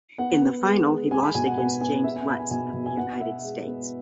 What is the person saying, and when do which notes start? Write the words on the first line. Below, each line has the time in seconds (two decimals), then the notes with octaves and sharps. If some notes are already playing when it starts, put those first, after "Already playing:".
In the final he lost against James Lutz of the United States.
0.18 B3 F#5
0.42 B3
0.65 G#3
0.88 G#3
1.11 G#3 G#5
1.23 B5
1.35 B2 G#5
1.46 F#5
1.58 B3 G#5
1.81 B3 G#5
2.04 B3 E5
2.16 G#5
2.27 B3 B5
2.39 G#5
2.51 B2 G#5
2.74 B2
2.86 G#5
2.97 B3 F#5
3.13 F#5
3.20 B3 E5
3.43 G#3
3.67 B3